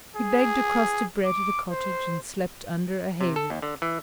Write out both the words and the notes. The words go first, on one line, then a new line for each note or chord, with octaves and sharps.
He begged a crust of bread at a cottage and slept under a hayrick.
G#4
D6
C5
C3
A4
D#2
D3
E3